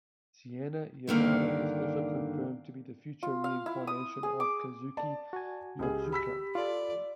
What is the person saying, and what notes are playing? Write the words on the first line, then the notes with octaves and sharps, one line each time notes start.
Seina Yamada is also confirmed to be the future reincarnation of Kazuki Yotsuga.
G2 D3 D#3 A#3
F4
F5
E4
D#6
G#4
D6
D5 A5
F#4 G#5
C#2 G4 G#4
B5 E6 B6
F4 A4 D5